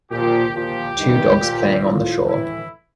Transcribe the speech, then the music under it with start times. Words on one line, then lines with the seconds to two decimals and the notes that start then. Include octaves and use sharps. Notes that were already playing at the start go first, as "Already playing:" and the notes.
Two dogs playing on the shore.
0.11 A#2 F3 G4
0.54 A#2 F3 G4
0.98 G2 D#3
1.40 A#2 F3
1.84 A2 F3 F4
2.27 A2 E3 E4